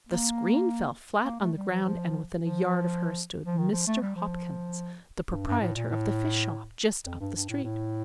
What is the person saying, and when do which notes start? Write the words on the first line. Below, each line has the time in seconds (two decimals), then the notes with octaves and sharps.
The screen fell flat on the ground and within a yard of her stood Mr. Hopkins, the proprietor of the fish- shop just up the street.
0.09 A#3
1.25 A#3
1.40 A3
1.57 G3
1.69 F3
1.83 F3
2.41 F3
3.46 F3
3.58 D#3
3.72 F3
3.87 A3
4.02 G3
4.16 F3
5.32 G2
5.47 G2
5.61 A2
5.75 A#2
5.90 A2
7.06 F2
7.20 G2
7.35 G2
7.49 A2
7.64 A2